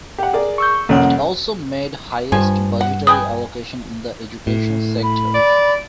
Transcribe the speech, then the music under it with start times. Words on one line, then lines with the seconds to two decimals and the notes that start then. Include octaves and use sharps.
It also made highest budgetary allocation in the education sector.
0.18 G4 F#5
0.33 G#4 A#4 D5
0.58 C#6 E6 G6
0.89 C2 F2 A#3 C#4 F#5
2.32 G2 F3 G#5
2.81 F#5
3.07 B4 G5 G#5 D#6
4.47 A2
5.03 B5
5.35 D5